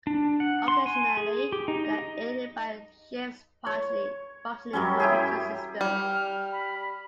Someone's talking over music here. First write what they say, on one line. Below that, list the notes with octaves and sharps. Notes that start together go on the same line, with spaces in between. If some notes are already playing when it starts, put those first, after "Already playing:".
Occasionally, they are aided by the ship's partially functioning computer system.
D4
F#5
C6
G#5
G#4
G4
D#4
D#5
C#5
F#2 F#3 G3 C#4
E4 G4 G#4
G3 F6
B5